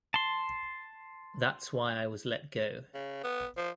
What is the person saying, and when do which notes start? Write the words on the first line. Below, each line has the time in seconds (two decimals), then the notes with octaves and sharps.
That's why I was let go.
0.14 A5 C6
2.94 C#3
3.24 B3
3.57 F3